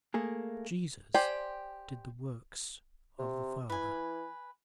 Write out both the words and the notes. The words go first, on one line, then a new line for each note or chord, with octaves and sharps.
Jesus did the works of the Father.
A3 A#3 G#4
G4 C5 D5 G5 G#5
C3
E3 B4 G#5